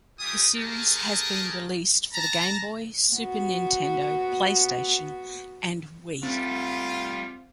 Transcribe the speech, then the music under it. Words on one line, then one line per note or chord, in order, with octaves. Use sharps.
The series has been released for the Game Boy, Super Nintendo, PlayStation, and Wii.
G3 F4 G4 G#5 D#6
A3 G4 G#4 A#4 A5 A#5
A5 A#5
B3 F#4
G3 A3 C4 F4